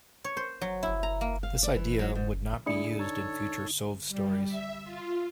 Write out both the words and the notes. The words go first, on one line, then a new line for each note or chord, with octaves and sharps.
This idea would not be used in future Sov stories.
C#5
C5
F#3
E4
A#5
A#3
F5
D5
E3
F#3
G#2
A3 D4 E4 G#4 D5 C#7
D#4 A4 C#5
G3
E5
F4